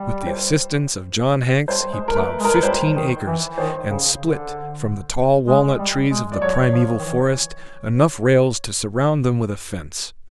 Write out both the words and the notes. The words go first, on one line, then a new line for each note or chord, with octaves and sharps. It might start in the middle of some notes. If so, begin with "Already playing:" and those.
With the assistance of John Hanks he plowed fifteen acres, and split, from the tall walnut-trees of the primeval forest, enough rails to surround them with a fence.
Already playing: G3
C5
G3 C5
G#3
A#4
A3 B4
G#3
A#4
B4
G3 C5
D#3
E3
D#3 C5
C#3
D3
G#3
G3
G#3
D5
F#3 C#5
F3
D#3
E3